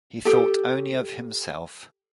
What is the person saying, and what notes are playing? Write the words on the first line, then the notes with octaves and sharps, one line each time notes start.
He thought only of himself.
G4 A4